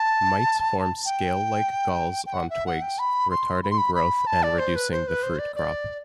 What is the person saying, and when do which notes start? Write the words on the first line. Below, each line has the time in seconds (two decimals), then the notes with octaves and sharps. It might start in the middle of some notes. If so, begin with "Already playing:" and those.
Mites form scale-like galls on twigs, retarding growth and reducing the fruit crop.
Already playing: A5
1.05 G5
2.26 G5
2.34 F#5
2.50 E5
2.67 F#5
2.82 G5
2.99 B5
3.31 C6
3.63 B5
3.71 C6
3.78 B5
3.95 B5
4.27 A5
4.43 D5
4.59 C5
4.76 B4
4.92 C5
5.08 B4
5.23 C5
5.39 D5
5.56 D5